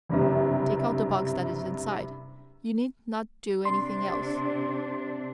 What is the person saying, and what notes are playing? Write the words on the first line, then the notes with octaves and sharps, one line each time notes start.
Take out the box that is inside. You need not do anything else.
F#1 G2 C3
C3 C4 D4 C6